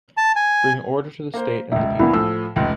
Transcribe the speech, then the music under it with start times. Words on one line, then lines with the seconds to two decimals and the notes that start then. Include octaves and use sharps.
Bring order to the state and the people.
0.17 A5
0.36 G#5
1.34 A#3 A#4 C5
1.72 E1 C#2 E5
1.99 C2 E3 A#3 B3 E4
2.13 A2 F3 E6
2.56 F1 C#2